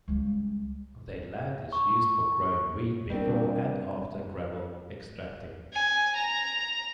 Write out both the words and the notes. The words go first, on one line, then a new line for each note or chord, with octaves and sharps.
Their land is used for growing wheat before and after gravel extracting.
C#2 G3
C#6
G3 B3 C4 D4 A#4
G#5
A#5